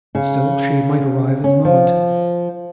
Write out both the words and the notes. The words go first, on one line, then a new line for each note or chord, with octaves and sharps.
Still she might arrive any moment.
C#3
C#4
F3